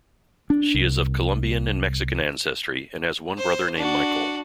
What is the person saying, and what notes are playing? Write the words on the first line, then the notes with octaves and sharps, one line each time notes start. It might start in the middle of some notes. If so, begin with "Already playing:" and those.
She is of Colombian and Mexican ancestry, and has one brother named Michael.
D4
C2
C5
D4 F#4